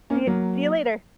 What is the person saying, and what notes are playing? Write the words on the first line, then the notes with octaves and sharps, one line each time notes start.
See y see you later.
A#3 C#4
F#3 A#3